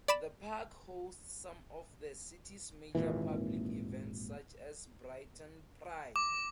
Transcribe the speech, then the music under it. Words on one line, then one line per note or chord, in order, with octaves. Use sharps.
The park hosts some of the city's major public events such as Brighton Pride.
D5 B5 E7
G#1 D#2 A#2 E3
D6